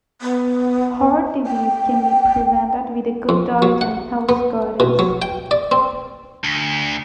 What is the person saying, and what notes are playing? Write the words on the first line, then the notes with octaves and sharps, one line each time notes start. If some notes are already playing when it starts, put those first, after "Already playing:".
Heart disease can be prevented with a good diet and health guidance.
B3
G5
F2
F#3
F#5
B3
B2
F#3
G5
D5
C4
D2